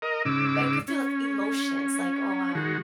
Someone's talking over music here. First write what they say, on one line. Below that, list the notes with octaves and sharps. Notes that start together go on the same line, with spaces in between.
like, you could feel the emotions, like, "Oh, wow.
A#4 D#5
G#2 C#3 D6 E6
C#4
D#3 G#3 F#4